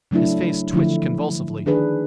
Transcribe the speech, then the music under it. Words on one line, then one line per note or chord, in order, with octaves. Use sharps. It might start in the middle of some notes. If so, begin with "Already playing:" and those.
His face twitched convulsively.
C#3 F#3 A3 D4 E4
D3 F3 A3 E4
D#3 D4 G#4 B4